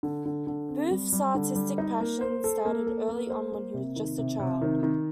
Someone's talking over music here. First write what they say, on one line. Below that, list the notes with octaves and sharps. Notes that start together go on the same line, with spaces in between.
Booth's artistic passion started early on when he was just a child.
D3
D3
D3
C4
G3
G3
D3
G3
D#4
A#3
C5
A4
A#3
A4
A#3
C5
A#3
C3
D#3
C3
C3
D#3
D#3